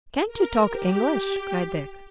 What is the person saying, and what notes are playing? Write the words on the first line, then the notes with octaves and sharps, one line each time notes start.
"Can't you talk English?" cried Dick.
A#4
G4